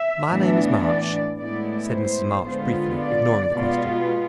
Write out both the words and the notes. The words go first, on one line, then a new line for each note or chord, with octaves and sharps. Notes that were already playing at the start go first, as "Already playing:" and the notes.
"My name is March," said Mrs. March briefly, ignoring the question.
Already playing: E5
A2 E3 B3 D4
D5
A2 G#3 B3 E4 D5
C5
D3 G#3 B3 F4
D5
B2 G#3 B3 F4